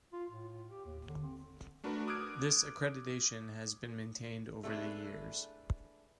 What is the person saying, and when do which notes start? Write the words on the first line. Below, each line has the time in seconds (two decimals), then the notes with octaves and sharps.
This accreditation has been maintained over the years.
0.13 F4
0.30 A2
0.70 G4
0.86 D#2
1.08 D3
1.23 C4
1.84 A3 D4 F#4 A#4 B4
2.08 D6 D#6 F6 F#6 G#6 D7
4.63 A3 D4 E4 G#4 A4 B4